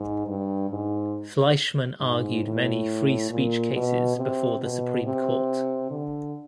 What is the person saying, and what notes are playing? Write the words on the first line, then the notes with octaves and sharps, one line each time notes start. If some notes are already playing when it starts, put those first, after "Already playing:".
Fleishman argued many free speech cases before the Supreme Court.
Already playing: G#2
G2
G#2
G#2
A2
A#2
B2
C3
B2
C3
D3